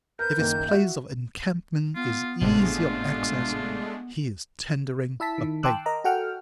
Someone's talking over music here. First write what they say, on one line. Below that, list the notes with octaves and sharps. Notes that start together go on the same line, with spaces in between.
If his place of encampment is easy of access, he is tendering a bait.
A#4 B4 G6
F#1 D#3 A#3
F#4 E5
B3 F4
G#1 A2 C3 G#3 A3 D4 F4
E4 E5 A5 B6
D#3
G5 A5 C6 D6 E6 F#6
A#4 D#5 A#5
F#4 A4 F#5 G5 F6